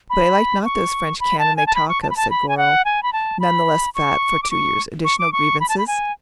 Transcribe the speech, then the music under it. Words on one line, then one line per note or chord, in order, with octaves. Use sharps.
"But I like not those French cannon they talk of," said Goro, none the less fat for two years' additional grievances.
B5
C#6
B5
A5
G#5
A5
B5
C#6
A5
B5
A5
B5
G#5
F#5
G#5
B5
A5
B5
C#6
D6
C#6
C#6
D6
C#6
B5
A5
B5
G#5